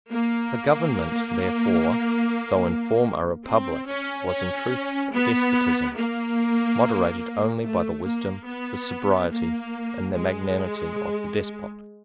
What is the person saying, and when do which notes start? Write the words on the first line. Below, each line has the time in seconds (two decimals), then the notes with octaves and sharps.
The government, therefore, though in form a republic, was in truth a despotism, moderated only by the wisdom, the sobriety, and the magnanimity of the despot.
0.11 A#3
3.46 C4
3.87 C#4
4.29 C#4
5.13 B3
5.96 A#3
7.64 A3
8.05 A#3
8.47 B3
9.31 A#3
10.14 G#3